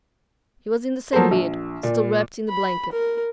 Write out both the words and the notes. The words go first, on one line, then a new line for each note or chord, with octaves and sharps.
He was in the same bed, still wrapped in the blanket.
F3 F#3 A#3 A4 C5
A#1
A#2 D5
B5
A#4